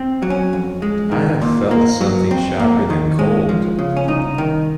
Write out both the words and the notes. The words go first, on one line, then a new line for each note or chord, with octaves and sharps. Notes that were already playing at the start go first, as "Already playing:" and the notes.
I have felt something sharper than cold.
Already playing: C4
F#3
C#4
F2
G#3
D#3
A#2
A#3
F#3
F2 C4
A#3
D#3
G#3 C#4
F3
C#3
C#4
C2 D#4
D#3